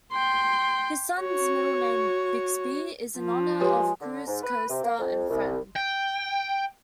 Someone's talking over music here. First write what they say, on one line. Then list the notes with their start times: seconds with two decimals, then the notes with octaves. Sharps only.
His son's middle name, Bixby, is in honor of Cruz's co-star and friend.
0.12 G5 C6
1.20 F#4 C#5
3.18 F3
3.60 G#3 G4 B4 C#5 D#5
4.01 D3
4.27 G#2
4.43 B4
4.70 C3
4.84 A#3
4.99 F2
5.30 C2
5.76 G5